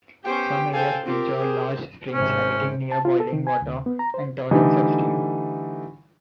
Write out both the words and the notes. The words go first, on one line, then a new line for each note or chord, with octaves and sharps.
Some areas feature large springs emitting near-boiling water and torrents of steam.
B3 C#4 G4 C5 G5
A4 C5 F5 G5 G#5
C4 F4 G4 A#4
G#4 C5
G#1 C3 C#4 C5
A5
F4
A4
D#3
G#5
D2
B3
A#5
C5
D3 E3 G3 A3 D#4